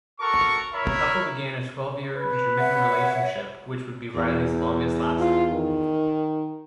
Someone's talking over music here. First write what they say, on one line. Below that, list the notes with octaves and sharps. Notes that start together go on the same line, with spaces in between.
The couple began a twelve-year intermittent relationship which would be Riley's longest lasting.
F#4 A4 A#4 C#6
E4 A#4 C#5 E5 B5
B4
C#5 E5 F#5
E2
F4
D#3